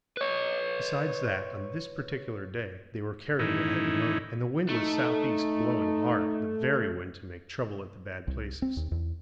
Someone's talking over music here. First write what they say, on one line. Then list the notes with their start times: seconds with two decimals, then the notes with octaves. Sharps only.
Besides that, on this particular day they were carrying a heavy load, and the wind was southeast, blowing hard--the very wind to make trouble at the bad places.
0.17 B4 C#5
3.39 A2 D#3 E3 C#4 D#4 E4
4.69 A3 D#4
8.27 C2
8.62 C4
8.77 D#2
8.91 E2